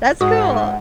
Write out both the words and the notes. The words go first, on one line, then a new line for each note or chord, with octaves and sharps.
That's cool.
G#2 F#4 F#5 D#6